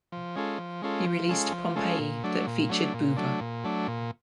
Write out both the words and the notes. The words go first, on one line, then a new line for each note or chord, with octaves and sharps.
He released "Pompeii" that featured Booba.
F3
G#3 C#4 F4 A4
F3
G#3 C#4 F4 A4
F3
G#3 C#4 F4 A4
F3
G#3 C#4 F4 A4
A#2
F#3 A3 D4
A#2
F#3 A3 D4
A#2
F#3 A3 D4
A#2
F#3 A3 D4
A#2